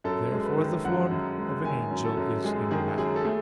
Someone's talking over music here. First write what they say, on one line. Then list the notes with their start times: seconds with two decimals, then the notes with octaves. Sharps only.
Therefore the form of an angel is in matter.
0.04 F#2 A4
0.31 G#3
0.45 B4
0.58 D#3
0.85 F#2 F#5
1.11 F#2
1.38 G#3
1.65 D#3 G#5
1.91 F#2
2.04 A4
2.17 F#2
2.44 G#3 G#4
2.71 D#3 G#4
2.97 F#2 G#4
3.16 A4
3.25 A3 G#4